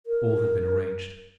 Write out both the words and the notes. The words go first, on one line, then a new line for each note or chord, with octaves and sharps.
All had been arranged.
A#4